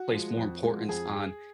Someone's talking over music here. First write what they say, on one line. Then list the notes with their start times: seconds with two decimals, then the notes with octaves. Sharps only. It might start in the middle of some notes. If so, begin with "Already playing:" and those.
place more importance on
Already playing: F#4
0.11 F3 G#3
0.37 F2
0.63 F3 G#3
0.89 F2 G#4